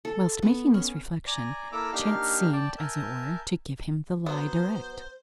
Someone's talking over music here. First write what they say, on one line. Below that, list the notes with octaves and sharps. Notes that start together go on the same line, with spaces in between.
Whilst making this reflection, chance seemed, as it were, to give him the lie direct.
A4
B3
C#4
D5 G#5 A#5
A#3 E4 A4 A#5 D6 E6
A#3 D4 D#4 G4 F5 F6
D5 G5 A5
A#4 E5 G#5 A5 G6
F#3 B3 C5